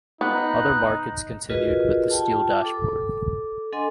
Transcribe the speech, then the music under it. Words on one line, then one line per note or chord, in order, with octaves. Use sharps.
Other markets continued with the steel dashboard.
B3 D#4 F#6
F4 F#4 G#4 A#4 B4 D#5
F4 G4 G5 A5
A4 D6
D4 A4 D#5 F#5 G#5 C6